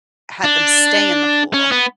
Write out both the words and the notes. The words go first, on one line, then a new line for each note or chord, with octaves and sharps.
had them stay in the pool
D4
C#4
B3